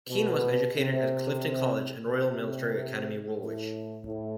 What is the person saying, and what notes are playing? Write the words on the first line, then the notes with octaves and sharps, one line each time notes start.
Keane was educated at Clifton College and Royal Military Academy Woolwich.
B2
C3
C3
A2
A2